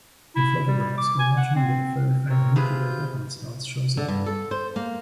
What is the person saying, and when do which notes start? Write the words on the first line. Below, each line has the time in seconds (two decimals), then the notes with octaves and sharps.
In photographs, a large number of very faint Milky Way background stars shows up.
0.36 E4
0.67 G3
0.98 D6
1.19 G#5
1.37 F#5
1.56 C4
2.30 C4 A#4 C#5
2.56 C3 F4 G#4 B4 G6
3.97 D3
4.08 G2
4.26 A4
4.51 C5
4.76 A#3